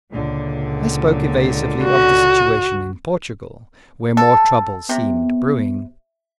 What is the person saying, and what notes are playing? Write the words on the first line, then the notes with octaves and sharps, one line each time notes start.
I spoke evasively of the situation in Portugal, where more trouble seemed brewing.
C#2 A#2 D3
F#4
A4
C3 B3